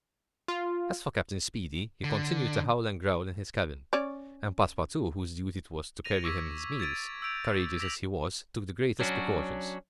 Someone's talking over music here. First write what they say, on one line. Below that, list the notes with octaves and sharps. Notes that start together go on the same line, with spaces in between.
As for Captain Speedy, he continued to howl and growl in his cabin; and Passepartout, whose duty it was to carry him his meals, courageous as he was, took the greatest precautions.
F4
D3
C#4 C#5 D5
A#6 D#7 F7
C#6 D6 E6 G#6 B6
G#6 A6 D7 D#7
E6 G6 D7 F7
D6 A#6 B6 F7 F#7
F#3 C#4 D4 F#4